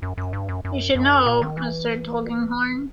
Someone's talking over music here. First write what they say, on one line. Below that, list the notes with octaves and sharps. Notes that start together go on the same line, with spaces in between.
You should know, Mr. Tulkinghorn.
F#2
F#2
G2
F#2
F#2
F#2
A#2
D#3
E3